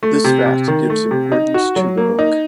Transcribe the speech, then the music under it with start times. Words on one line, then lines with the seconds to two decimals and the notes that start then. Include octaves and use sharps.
This fact gives importance to the book.
0.03 A3
0.24 C3
0.46 C3
0.68 D#3
0.90 A3
1.11 C3
1.32 D#4
1.54 F#4
1.76 F#3
1.97 A#3
2.19 D#4